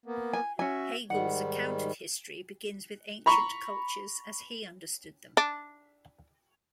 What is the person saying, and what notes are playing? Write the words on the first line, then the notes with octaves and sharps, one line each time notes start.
Hegel's account of history begins with ancient cultures as he understood them.
A#3 B3
G#5
C#4 F#4 E5 G#5
G#2 D#3 G3 F#5
A#5 B5 C#6
D4